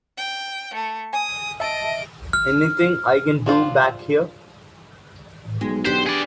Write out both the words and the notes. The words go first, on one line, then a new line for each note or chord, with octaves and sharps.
Anything I can do back here?
G5
A3 C#7
G#5 D#6
D#5 E5 A5 D7
F6
F3 D4 F4 C5
B1 G#3
B3 D4 G4 C5
G#4 D5